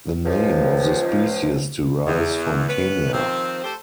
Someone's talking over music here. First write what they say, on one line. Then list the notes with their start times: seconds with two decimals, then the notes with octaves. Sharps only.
The name of the species derives from Kenya.
0.25 C#2 F3
2.06 E2
2.69 B3 C#4 B4
3.12 D#3 F3 C4
3.64 A3 G4 A4 C5